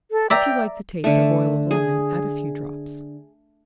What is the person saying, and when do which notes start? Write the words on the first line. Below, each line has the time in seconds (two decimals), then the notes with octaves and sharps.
If you like the taste of oil of lemon, add a few drops.
0.11 A4
0.30 D5 E5 G5 A#5
1.04 D3 A3
1.71 G#4